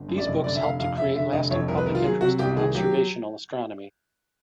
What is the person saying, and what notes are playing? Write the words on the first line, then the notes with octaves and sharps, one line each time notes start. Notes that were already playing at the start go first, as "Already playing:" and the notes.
These books helped to create lasting public interest in observational astronomy.
Already playing: G1
F#2
D5
F1 D#5
D3 D5
E5
F1 F5
F2 F5
F1 E5
D3 E5
F1 D#5
F2 C#5
C2 A#4
B4
D#3 A#4
F4
F#3 G#4
C3 F#4
C2 G4
D#3 G#4
F#3 G4